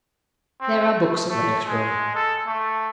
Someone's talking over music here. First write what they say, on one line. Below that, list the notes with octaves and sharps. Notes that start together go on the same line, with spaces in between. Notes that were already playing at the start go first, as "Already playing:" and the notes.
There are books in the next room.
C4
A3
A3
G#3
A4
A3